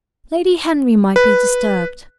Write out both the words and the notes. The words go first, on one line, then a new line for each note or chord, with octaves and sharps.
"Lady Henry might be disturbed."
B4